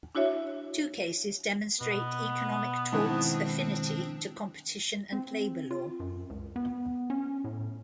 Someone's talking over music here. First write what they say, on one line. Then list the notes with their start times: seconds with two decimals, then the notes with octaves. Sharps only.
Two cases demonstrate economic torts' affinity to competition and labour law.
0.15 D4 E4 F#4 C#5 E5
1.81 B2 B3
2.92 G#2 D#3 F3 C4 D4 E4
5.12 C4
5.71 F4
6.00 F#2
6.30 C#2
6.56 B3
7.10 C#4
7.44 A2